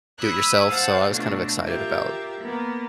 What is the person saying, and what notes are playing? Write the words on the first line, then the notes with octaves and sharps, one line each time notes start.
do it yourself. So, I was kind of excited about
B5 D#6 E6 F#6 G#6
C5 F5 F#5 A5
B2 A3 D4 F4 F#4
F4 G4 A#4 E5
A#3 B3